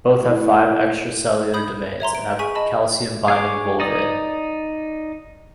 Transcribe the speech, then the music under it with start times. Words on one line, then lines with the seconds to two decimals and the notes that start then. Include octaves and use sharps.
Both have five extracellular domains, and have calcium-binding vulvae.
0.21 A2
1.54 B5 D#6 G6
2.00 C#5 E5 A#5 C6
2.15 D7
2.39 G#4 G#5 C#6 B6 D#7
2.55 D#5 A5 B5
3.28 G#4 C#5 D6
3.80 D#4 D5 D#6